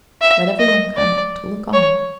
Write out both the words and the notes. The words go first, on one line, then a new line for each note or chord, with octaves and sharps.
Let every one come ... to look on.
E5
D#5
D5
C#5